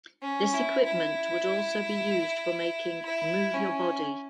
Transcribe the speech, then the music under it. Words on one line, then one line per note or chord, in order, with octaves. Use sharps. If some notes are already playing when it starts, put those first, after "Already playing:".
This equipment would also be used for making "Move Your Body".
C#4
E4
E4
E4
C#4